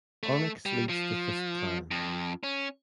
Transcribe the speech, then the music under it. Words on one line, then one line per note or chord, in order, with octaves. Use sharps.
Onyx leads the Fist Clan.
A3
G3
F3
F2
C#4